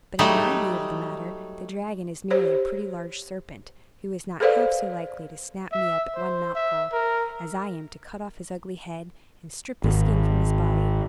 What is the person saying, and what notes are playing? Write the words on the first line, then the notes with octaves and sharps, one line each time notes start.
But, in my view of the matter, the dragon is merely a pretty large serpent, who is not half so likely to snap me up at one mouthful as I am to cut off his ugly head, and strip the skin from his body.
F#3 G3 A3 D#4
G4 C5 C#5
G#4 A4 B4 C5 D5 F5
E5
C5
E5
A#4
G#1